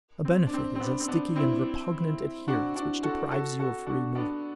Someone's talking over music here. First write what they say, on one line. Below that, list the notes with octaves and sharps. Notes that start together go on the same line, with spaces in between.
A benefit is a sticky and repugnant adherence which deprives you of free movement.
C4
D4
C4
C4
B3 D4
C4
B3 D4
C4 E4
D4 F#4
D4 F#4
F#4 A4
F#4 A4
F#4 A4
D4 F#4
B3 D4